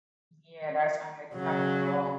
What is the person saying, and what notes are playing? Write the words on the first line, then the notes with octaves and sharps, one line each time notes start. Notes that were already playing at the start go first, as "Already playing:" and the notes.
Yeah, that's unacceptable.
C#3 F#3